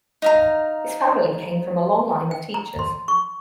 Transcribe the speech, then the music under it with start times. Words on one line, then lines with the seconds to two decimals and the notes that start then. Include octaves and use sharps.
His family came from a long line of teachers.
0.22 D#4 F5 A#5
2.31 G5
2.54 A#5
2.79 C6
3.08 C#6